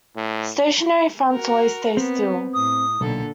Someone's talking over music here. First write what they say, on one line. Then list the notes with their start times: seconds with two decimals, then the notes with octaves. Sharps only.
Stationary fronts always stay still.
0.17 A2
1.32 F#4 A#4
1.97 B3 C4
2.54 A2 D#6
3.01 B1 A#2 D3 A4